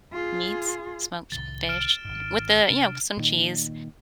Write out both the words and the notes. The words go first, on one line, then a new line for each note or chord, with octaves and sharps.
Meats, smoked fish with the you know, some cheese
F4 G#4
C2 A2 D#3 A6 G7
F6 D7 E7
G#1 G#2
C3 D4
A#2 D#3